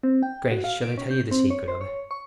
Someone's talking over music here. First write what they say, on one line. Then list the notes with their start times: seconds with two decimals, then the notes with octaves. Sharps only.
Grace, shall I tell you the secret of it?
0.03 C4
0.23 G5
0.51 F#4
0.64 F5
0.82 D7
0.98 C#4
1.11 G6
1.31 C4
1.50 C#5
1.68 C5
1.81 C#5
2.11 C#6